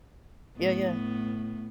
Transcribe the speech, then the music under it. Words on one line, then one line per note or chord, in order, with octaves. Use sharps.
Yeah, yeah.
A2 B3